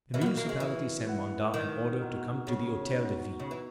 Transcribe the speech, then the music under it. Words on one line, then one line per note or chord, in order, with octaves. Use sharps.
The municipality sent Mandat an order to come to the Hotel-de-Ville.
E3 F#4 A#4 D#5
B3
A#3
A#3
G#3
E3
E4 B4 F#5
D#3
B3 D#4 F#4 A#4
C#3
B3 D#4 F#4
C#3
E3